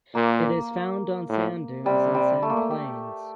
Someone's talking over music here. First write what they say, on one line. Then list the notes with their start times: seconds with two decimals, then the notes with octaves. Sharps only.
It is found on sand dunes and sandplains.
0.15 A#2 A#3
1.29 A2
1.85 C3 G3
2.15 G3
2.42 A3
2.50 A#3
2.57 A3
2.70 G4